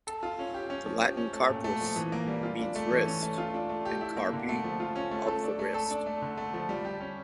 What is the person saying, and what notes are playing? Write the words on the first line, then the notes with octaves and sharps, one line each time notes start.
The Latin carpus means wrist, and carpi of the wrist.
A4
F4
C#4
G4
C#4
F3
G4
C#4
A3
A#2
A3
F3
E3
A#3
G3
F4
D4
A3
E3
C#4
A3
F4
D4
A3
G4
E4
A#3
D3
A3
F3
F4
C#4
A3
A4
D4
A3
A4
D4
A3
D3
A3
F3
G3
G4
C#4